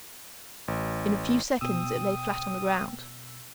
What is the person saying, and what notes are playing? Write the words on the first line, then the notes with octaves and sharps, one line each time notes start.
In a few seconds it lay flat on the ground.
A1
B2 G5 D#6 E6